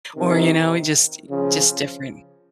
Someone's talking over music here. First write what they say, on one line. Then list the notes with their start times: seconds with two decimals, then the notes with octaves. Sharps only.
or, you know, just i just different
0.16 C3 D#3
1.30 C#3 F3